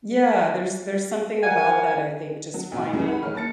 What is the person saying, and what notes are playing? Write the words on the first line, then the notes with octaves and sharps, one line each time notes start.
Yeah, there's there's something about that, I think just finding
A#4 F5 F#5 G#5
F#3
D2 B2 F#4
B1 F#2 C#3 E3 G3
F#5 B5
B1 A2 G#4 C#5 F6
A#3 A5 A6 C#7